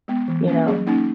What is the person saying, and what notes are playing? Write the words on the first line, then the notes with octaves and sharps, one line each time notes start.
you know?
G#3 B3
E3
A#3 C#4
F#3 G#4
A#3 C#4 D#4